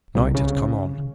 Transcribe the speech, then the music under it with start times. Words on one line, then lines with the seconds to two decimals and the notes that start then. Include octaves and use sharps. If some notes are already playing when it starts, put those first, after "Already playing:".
Night had come on.
0.15 C2
0.35 C#3